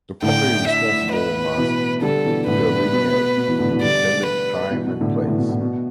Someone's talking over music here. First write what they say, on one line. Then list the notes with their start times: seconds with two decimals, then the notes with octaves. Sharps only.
The party responsible must delineate the intended time and place.
0.22 A2 D3 G5
0.67 E5
1.13 B4
1.57 B2 E3
2.02 D3 G3 A4
2.25 B2 E3
2.47 A2 D3 B4
2.92 B2
3.37 B2
3.48 B2 E3
3.59 A2 D3
3.70 B2 E3
3.81 D3 G3 D5
4.26 B4
4.71 B2 E3
4.86 B2
5.01 A2 D3
5.18 E3
5.27 A2 D3
5.38 B2
5.49 A2
5.61 B2